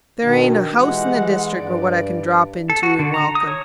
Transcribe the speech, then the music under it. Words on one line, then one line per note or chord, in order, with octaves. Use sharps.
There ain't a house in the district but what I can drop into and welcome.
B2 D#3 D4
E3 G#3 G4 F#5
G2 D5
A4
F#4
D3
A#5
D#6
C#5